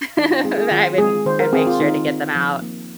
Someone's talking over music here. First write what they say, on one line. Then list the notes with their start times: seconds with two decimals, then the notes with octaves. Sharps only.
I wouldn't I'd make sure to get them out.
0.17 D#3 D#4
0.31 F4
0.44 G#3 C4 G#4
0.58 G#4
0.71 D#3 F4
0.98 G#3 C4 G#4
1.26 D#3 C5
1.39 A#4
1.53 C4 G#4
1.67 F4
1.80 D#3 D#4
2.07 C4
2.35 F3
2.61 A#3